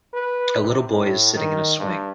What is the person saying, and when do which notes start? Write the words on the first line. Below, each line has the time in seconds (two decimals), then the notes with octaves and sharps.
A little boy is sitting in a swing.
0.14 B4
0.60 C3
0.89 A2
1.35 D#3
1.78 G2